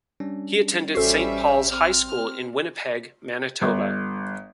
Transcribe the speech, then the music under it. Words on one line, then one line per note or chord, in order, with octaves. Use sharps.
He attended Saint Paul's High School in Winnipeg, Manitoba.
G3 C#4 D4
A1 G3 C#4 F#4 A4 C5 E5 C7
C4 F6
G1